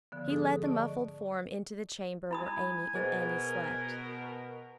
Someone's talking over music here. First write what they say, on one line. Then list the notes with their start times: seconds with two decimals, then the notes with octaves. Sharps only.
He led the muffled form into the chamber where Amy and Annie slept.
0.12 D3 F3 B3
0.28 G#2 D3 G#3 G#4 A4 D#6
0.63 D5 D#5 A5 C#6
2.31 E4 G#5 B5 D#6
2.95 B2 G#4 A#4 C5 D#5